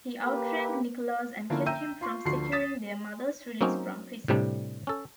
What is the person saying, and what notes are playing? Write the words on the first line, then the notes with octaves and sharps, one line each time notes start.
He outranked Nicholas and kept him from securing their mother's release from prison.
A#3 G4 B4
D3 F3 A#3 C#4 E4
E5 G5 A#5 E6 G6 D#7
F4 C6 C#6
D2 D3 F3 F#4 C6 C7
D#6 A6 B6 E7
F#3 A#3 C4 C#4 D#4
A2 C3 G3 D4
C#4 A4